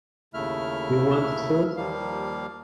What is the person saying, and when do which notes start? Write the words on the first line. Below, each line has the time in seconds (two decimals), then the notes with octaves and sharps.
You want the truth?
0.34 D#2 C#3 A3 E4 E5 F6
1.77 D#2 F3 G3 A#3 F5